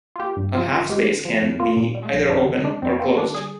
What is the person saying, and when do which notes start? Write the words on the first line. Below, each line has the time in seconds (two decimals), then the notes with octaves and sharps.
A half-space can be either "open" or "closed".
0.16 F4
0.20 A#3 G4
0.37 G2
0.55 F3 F4
0.72 G1 F4
0.89 G#3 G4
1.08 D3
1.25 F3
1.42 F2
1.60 A#3 F4
1.77 A#2
1.95 G3
2.12 A#1
2.30 F2 D4
2.47 D3
2.64 G#3 D4
2.82 F2 C4
2.99 A#3 C4
3.17 D3 D4
3.34 G3 G#4